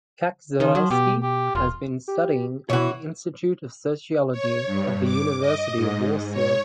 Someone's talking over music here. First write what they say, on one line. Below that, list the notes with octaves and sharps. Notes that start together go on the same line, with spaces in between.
Kaczorowski has been studying at the Institute of Sociology of the University of Warsaw.
D#3 F3
F#3
B2 G4
G4
E1 F4
G4
B2 E3 E4 F#4 C#5
C#5
G2
D6
D#5
G#2
C#5